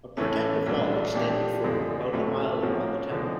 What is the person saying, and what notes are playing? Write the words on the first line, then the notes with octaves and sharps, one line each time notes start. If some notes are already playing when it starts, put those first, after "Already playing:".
A protective wall extended for about a mile around the town.
A2 E3 A3 C#4
C2 A#2 F#3 A3 D4
A#2 F3 A3 D4 G4
F#2 D3 F3 G#3
A2 F#3 A3 C#4 F4
G#2 F3 A#3 C#4 F#4
D3 F3 G#3 C4 D#4